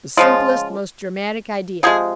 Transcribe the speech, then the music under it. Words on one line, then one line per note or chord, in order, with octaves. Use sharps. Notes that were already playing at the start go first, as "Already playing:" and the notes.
The simplest, most dramatic idea.
C#3 F3 G#3 F4
C3 F3 G#3 G#4